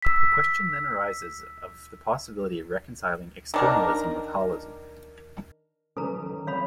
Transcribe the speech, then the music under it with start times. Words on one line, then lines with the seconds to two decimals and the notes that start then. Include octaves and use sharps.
The question then arises of the possibility of reconciling externalism with holism.
0.02 E6 B6
3.54 D#3 D4 A#4
5.97 D#3 F#3 C#4 A4 B4 A#5
6.26 D#3
6.47 F#3 C4 C#5 F5 B5